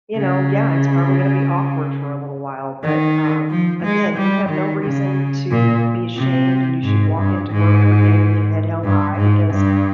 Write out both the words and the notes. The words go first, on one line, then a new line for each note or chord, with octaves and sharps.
you know, yeah, it's probably gonna be awkward for a little while, but, um, again, you have no reason to be ashamed and you should walk into work every day with your head held high, because
C#3
D#3
F3
G#3
G3
D#3
C#3
A#2
C3
G#2
G2
G#2
G2
G#2
G2